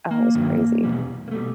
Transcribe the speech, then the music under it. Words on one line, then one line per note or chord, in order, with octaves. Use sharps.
Oh, it was crazy.
A#3
G2 D#3 F#3
E2 B2 G3
A#3
B2 G3 A3